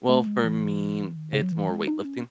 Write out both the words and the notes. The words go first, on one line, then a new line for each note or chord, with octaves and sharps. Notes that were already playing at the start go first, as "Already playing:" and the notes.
Well, for me, it's more weightlifting.
A3
G#3
E3
D#3
C#3
F#3
E3
G#3
D#4
C#4